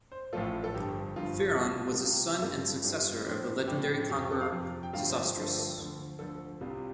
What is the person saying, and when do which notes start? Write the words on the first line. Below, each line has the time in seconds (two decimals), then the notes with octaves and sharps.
Pheron was the son and successor of the legendary conqueror Sesostris.
0.12 C5
0.33 A1 A2 F3 A3 F4 A4
0.64 A4
0.75 G1 G2 F3 G4
1.16 G1 G2 F3 F4
1.58 C2 C3 A3 F4
1.91 A4
2.00 C2 C3 A3 F4 G4
2.42 G2 G3 C4 F4 A4
2.84 G2 G3 C4 F4
3.26 A2 F3 D4 C5
3.68 A2 F3 D4 G4
3.89 G4
4.09 F2 C3 F3 G4
4.20 G4
4.31 A4
4.41 F5
4.52 F2 C3 F3
4.83 G5
4.93 G2 D3 F3 A3 F4 F5
5.10 C5
5.14 D5
5.35 G2 D3 F3 A3 F4 C5
5.43 A4
5.52 G4
5.59 A4
5.77 D2 D3 F3
6.19 D2 D3 F3 A4
6.61 C2 C3 G3 C4 F4